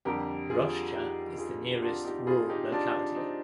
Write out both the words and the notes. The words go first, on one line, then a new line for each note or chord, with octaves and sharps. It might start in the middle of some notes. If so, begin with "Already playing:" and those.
Roshcha is the nearest rural locality.
F2 D3 G3 G4 A#4
F4 G#4
D#4 G4
F4 G#4
G4
D4 F4
D#4 G4
F4 G#4
D#4 G4
D4 F4
C4 D#4